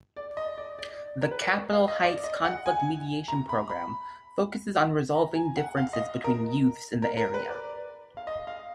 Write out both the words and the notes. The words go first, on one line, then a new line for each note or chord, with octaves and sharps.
The Capitol Heights conflict-mediation program focuses on resolving differences between youths in the area.
D5
D#5
D5
D5
A#4
B4
D5
F5
D#5
D5
D#5
F#5
G#5
A#5
B5
B5
A#5
G#5
F#5
F5
D#5
A#4
A#4
A#4
B4
D5
F5
D#5
F5